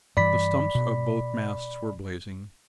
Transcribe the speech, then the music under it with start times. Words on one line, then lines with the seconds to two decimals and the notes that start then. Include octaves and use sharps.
The stumps of both masts were blazing.
0.17 G2 E3 D5 B5 B6
0.75 B2